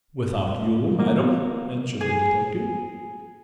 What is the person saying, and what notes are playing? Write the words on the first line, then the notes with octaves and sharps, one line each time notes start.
"Without you, madam?" answered the detective.
A#3
G#4